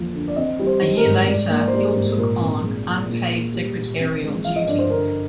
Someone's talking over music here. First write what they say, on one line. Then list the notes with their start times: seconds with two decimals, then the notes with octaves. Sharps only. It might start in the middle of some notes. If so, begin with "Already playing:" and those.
A year later Hill took on unpaid secretarial duties.
Already playing: F2 D3 F3 A#3
0.15 D3
0.28 D5
0.36 C4 D#5
0.59 G3
0.66 C5
0.82 D#3
0.97 A#4
1.05 G#2
1.27 G#2 D5
1.50 A#3
1.58 D5
1.67 C5
1.73 G3 D5
1.87 C5
1.96 G#2
2.18 A#2 A#4
2.41 C4
2.63 G#3
2.86 A#2
3.09 A#2
3.32 A#3
3.54 G3
3.77 A#2
4.00 C4
4.23 G#3
4.45 F3 F5
4.56 D#5
4.68 G2 D5
4.79 C5
4.90 D3 A#4